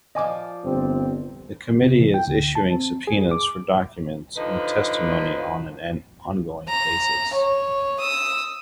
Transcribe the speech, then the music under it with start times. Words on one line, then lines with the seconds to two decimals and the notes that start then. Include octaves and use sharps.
The Committee is issuing subpoenas for documents and testimony on an ongoing basis.
0.15 F3 D5 D#5 G#5 D6
0.65 G1 C4
1.81 C3
2.01 E3
2.14 G5
2.27 D2
2.55 A5
2.74 C4
3.07 G#4
3.31 D6
4.36 D3 F3 D#4 B4
6.68 A#5
7.35 C#5
8.00 D#6 E6